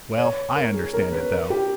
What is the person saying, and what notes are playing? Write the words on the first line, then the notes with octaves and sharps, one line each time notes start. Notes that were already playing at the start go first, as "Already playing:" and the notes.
Well, I understand it, though.
C#5
A#4
G#4
A#4
B4
A#4
G4